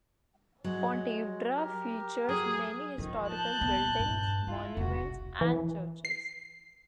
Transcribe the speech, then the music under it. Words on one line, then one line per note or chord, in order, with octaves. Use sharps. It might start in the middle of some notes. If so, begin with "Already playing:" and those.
Pontevedra features many historical buildings, monuments, and churches.
F#3 G#3
G4 A#4
F#3 G#4
D#3 F3
A5 F#6 G6
A#2 B3
G2
G#3 E4 F4
E1 C2 F#4
E3
C7